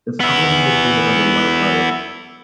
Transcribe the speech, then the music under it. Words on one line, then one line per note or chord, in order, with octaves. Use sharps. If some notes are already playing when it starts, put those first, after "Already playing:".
This commonly occurs under light loads.
B3 E4